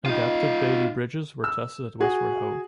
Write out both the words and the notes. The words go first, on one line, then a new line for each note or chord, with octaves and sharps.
Adapted Bailey Bridges were tested at Westward Ho!
D#4 F4
E6
F#4 G#4